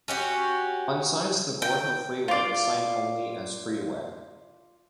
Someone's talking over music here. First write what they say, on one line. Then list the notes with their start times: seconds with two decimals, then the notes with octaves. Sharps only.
On signs the Gore Hill Freeway is signed only as "Freeway".
0.08 C#4 F#4 G4
1.62 G5
2.28 F4 D5